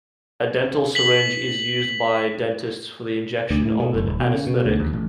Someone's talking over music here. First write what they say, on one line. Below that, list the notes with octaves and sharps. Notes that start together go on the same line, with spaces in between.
A dental syringe is a used by dentists for the injection of an anesthetic.
B6 F#7
D2
A2
B2
F#1
D#1
B2
C#3
B2
D2
D#2
A1